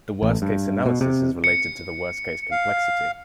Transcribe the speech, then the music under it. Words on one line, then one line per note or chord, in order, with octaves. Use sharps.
The worst-case analysis is related to the worst-case complexity.
A1
G2
B2
C3
C#7
F5